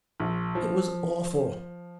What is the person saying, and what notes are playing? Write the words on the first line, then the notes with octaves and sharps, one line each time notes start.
It was awful.
A#1
F3